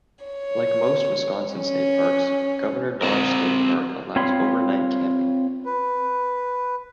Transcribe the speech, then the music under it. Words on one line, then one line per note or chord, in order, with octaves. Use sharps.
Like most Wisconsin State Parks, Governor Dodge State park allows overnight camping.
C#5
C#4
C4 A#4
C4 F4 C#5 B5 C6
B4